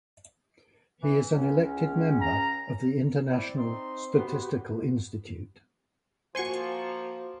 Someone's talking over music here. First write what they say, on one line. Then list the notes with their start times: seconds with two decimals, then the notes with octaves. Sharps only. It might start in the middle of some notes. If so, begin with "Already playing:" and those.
He is an elected member of the International Statistical Institute.
1.01 E3
1.33 C#2 C#4
2.21 A#5
3.27 C4 E4 D5
3.57 D#4 C6
4.15 B3 F#4 G4 B4
6.35 F3 A#3 F#4 C5 G#5 C6 C#6